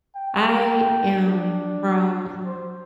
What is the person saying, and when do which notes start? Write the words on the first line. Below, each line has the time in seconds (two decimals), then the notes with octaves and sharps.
I am from
0.16 G5
1.16 D4
2.46 C5